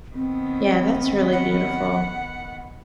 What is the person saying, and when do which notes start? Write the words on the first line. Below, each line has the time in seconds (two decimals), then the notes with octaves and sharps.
Yeah, that's really beautiful.
0.14 D#3 B3 C4
1.32 F#5